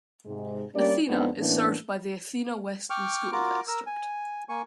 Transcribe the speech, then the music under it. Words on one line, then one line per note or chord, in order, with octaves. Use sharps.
Athena is served by the Athena Weston School District.
G#2 C3 G#3
G3 A#3 C#4 D4 G4 D5
F2 G#3 B3 C4 D4 D#4
A2 E3 A#3 B3 C#4 D4
G5 C#6 D6 F6
F4 F#4 A#4 D6
A#4 E6
G#5
A#3 G#5 C#6